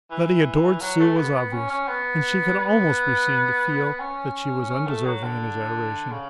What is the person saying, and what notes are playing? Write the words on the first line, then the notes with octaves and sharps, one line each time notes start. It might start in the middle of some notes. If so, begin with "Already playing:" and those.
That he adored Sue was obvious; and she could almost be seen to feel that she was undeserving his adoration.
E3
F#3
A3
B3
B3
C#4
C#4
B3
B3
C#4
C#4
A3
F#3
D3
C#3